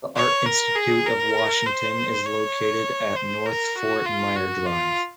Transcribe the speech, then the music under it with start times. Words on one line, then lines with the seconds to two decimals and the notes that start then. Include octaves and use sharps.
The Art Institute of Washington is located at North Fort Myer Drive.
0.16 C#5
0.46 A#4
0.75 G#4
1.06 A#4
1.66 C5
2.26 C#5
3.16 C5
3.45 A#4
3.76 F#4
4.05 F4
4.36 F#4
4.66 F4